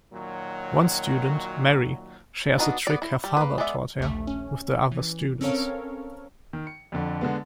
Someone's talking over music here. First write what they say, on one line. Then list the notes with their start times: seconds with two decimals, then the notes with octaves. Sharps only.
One student, Mary, shares a trick her father taught her with the other students.
0.14 A#2 D#3 F#3
2.58 B3 D4 D#4 F#4
2.87 B3 D5
3.02 E4
3.24 G3
3.37 A#3 B4
3.58 G#3 B3 D5 E5
3.99 A#1 D#2 A3
4.27 C#4
4.92 E3
5.41 C4 C#4 A4 A#4 C#5 F5
6.53 D#3
6.67 C#7
6.92 F2 D3
7.21 D3 G#3 B3